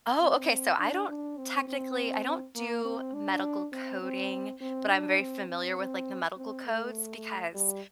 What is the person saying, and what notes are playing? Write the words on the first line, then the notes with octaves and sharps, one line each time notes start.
Oh, okay so, I don't technically, I don't do medical coding, but I'm very familiar with, like, the medical codes because
C4
D4
D4
C4
C4
A#3
C4
D4
C4
C4
C4
D4
C4
C4
C4
C4
A3
G3